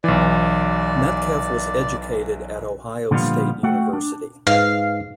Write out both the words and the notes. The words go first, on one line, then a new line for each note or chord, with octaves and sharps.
Medkeff was educated at Ohio State University.
B1 E3 D5
A#2 D3 F3 G3 B3 F4
A3 F#4 F#5 G5
D4
G#2 B4 F5